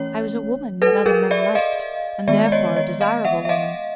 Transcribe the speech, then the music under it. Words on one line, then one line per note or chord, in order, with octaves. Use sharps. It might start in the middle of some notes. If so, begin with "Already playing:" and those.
I was a woman that other men liked, and therefore a desirable woman.
Already playing: E3 A3 C#4 C#5
A4 B4
G#4 A#4
D5 E5
D#5 F5
D#3 G#3 B3 D5 E5
D5
C#5 D#5
C#5 D#5
D#5 F5
E5 F#5
E5
D#5 F5